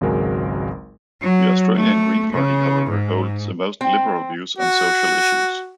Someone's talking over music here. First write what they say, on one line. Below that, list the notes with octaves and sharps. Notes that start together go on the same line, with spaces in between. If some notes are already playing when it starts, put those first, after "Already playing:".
The Austrian Green Party, however, holds the most liberal views on social issues.
G#1 C#2 F#3 G#3 A#4 G#5
F#3
A3
C#3
G#2
C4
F#4